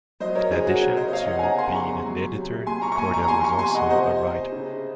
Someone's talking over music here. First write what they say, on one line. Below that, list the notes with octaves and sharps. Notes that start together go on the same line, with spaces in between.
In addition to being an editor, Korda was also a writer.
F#3 C5 D#5
A#4 C#5
C#3 G#4 C5
F#4 A#4
C3 A#4 C#5
C5 D#5
D#5
C3 C#5 F5
D#5 F#5
G#5
C#3 F#5 A#5
G#5 C6
C#3 A#5 C#6
F#3
C3
A#2 G#5 C6
A#5 C#6
C#6
A#2 G#5 C6
A#5 C#6
A#5
F3 G#5 C6
A#5 C#6
C3 G#5 C6
D#5 F#5
C3 C5 D#5
C3
C#3